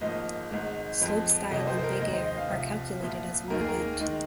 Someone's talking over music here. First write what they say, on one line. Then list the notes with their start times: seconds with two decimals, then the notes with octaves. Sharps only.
Slopestyle and Big Air are calculated as one event.
0.01 G#1 G#2 F3 A#3 D#5
0.51 G#1 G#2 G#3
1.01 F2 F3 G#3
1.51 F1 F2 C3 D#5
1.67 C5
1.77 C5
1.84 A#4
2.01 D#2 D#3 G#3 D#5
2.13 C5
2.26 D#5
2.38 F5
2.51 C2 C3 F3
3.01 C2 A#2 F3
3.50 D#2 D#3 A#3 A#4
3.60 G#4
3.68 A#4
4.00 D#3 G#3